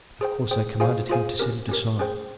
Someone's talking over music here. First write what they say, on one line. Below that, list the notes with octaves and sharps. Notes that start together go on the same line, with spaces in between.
Of course I commanded him to set it aside.
G#4 C5 G5
G#4 C5 G5
F4 G#4 C5 F5 G#5
F4 G#4 C5 F5 G#5
C#4 G4 A#4
C#4 G4 A#4
C#4 G#4 C5 G5